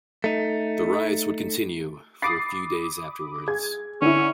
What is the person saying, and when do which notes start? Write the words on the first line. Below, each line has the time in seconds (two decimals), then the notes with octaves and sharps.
The riots would continue for a few days afterwards.
0.24 A3 D#4
2.22 B5 D6 D#6 A6 C7
3.48 G#4 G#6
4.02 D3 C#4 E4